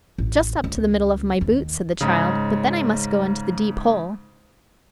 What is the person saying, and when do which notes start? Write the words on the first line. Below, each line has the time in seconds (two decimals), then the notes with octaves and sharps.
"Just up to the middle of my boot," said the child; "but then I must go into the deep hole."
0.18 A1
0.64 C#2
1.41 D#2
2.01 G#2 C#3